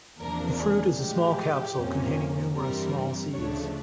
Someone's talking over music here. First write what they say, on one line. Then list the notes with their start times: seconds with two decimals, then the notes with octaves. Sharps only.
The fruit is a small capsule, containing numerous small seeds.
0.20 E2 C3 F3 A#3 D4 A#4
0.59 G#4
0.98 A2 F3 G#3 G4
1.76 F2 C3 F3 A#3 C#4
2.54 G2 E3 G3 C4 A#4
3.32 D2 C#3 F3 A3 D4 C#5